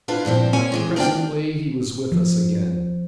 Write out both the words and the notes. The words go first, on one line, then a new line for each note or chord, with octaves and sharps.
Presently he was with us again.
D4 E4 F4 B4 F5
G2 A#2 F3 C4
C3 A#3 C4 C#4 C#5 G#5
C3 E3 G#3
A#3 D4 F4 C#5 D5 G5
F3